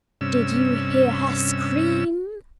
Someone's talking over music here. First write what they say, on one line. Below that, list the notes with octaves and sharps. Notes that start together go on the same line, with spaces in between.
Did you hear her scream?
G2 C3 C#4 E6